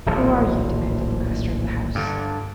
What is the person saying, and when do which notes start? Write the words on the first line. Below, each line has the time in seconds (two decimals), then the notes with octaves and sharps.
"Who are you?" demanded the master of the house.
0.06 D1 A#1 F3
1.95 G2 D3